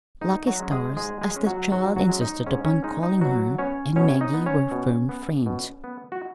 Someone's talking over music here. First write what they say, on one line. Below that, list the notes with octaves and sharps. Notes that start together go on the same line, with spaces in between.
"Lucky Stars," as the child insisted upon calling her, and Maggie were firm friends.
G#2 D#4
F#3 F#4
G#3 C#4
G#3 G#4
G#2 G#3 G#4
G#3 G#4
G#3 C#4
F#3 F#4
G#2 F#3 F#4
F#3 F#4
G#3 C#4
D#4
G#2 C#4
C#4
G#3 C#4 D#4
D#4
B2 F#3 F#4
B3 C#4 C#5
B2 C#4 C#5
D#4 D#5
B3
C#4 C#5
B2
B3
B2
B3
F#4